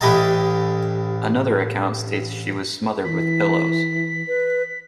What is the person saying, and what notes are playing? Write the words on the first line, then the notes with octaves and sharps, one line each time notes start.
Another account states she was smothered with pillows.
A1 E4 G4 D#5 A5
E3 B6
B4